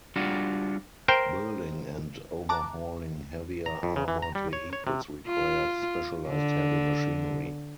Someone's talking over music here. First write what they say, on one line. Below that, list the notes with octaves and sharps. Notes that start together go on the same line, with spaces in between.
Building and overhauling heavier armoured vehicles required specialized heavy machinery.
G3 D4 F4 F#4
A#4 C5 G5
A5 A#5 D6 F#6
A#5
F2
C#3
E3
A#5
G3
C#5
C#5
C3
F4
D3